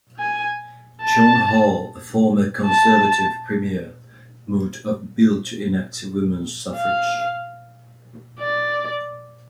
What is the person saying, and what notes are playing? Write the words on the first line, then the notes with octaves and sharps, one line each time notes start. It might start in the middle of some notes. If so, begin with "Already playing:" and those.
John Hall, a former conservative premier, moved a Bill to enact women's suffrage.
G#5
A5
A5
F5
D5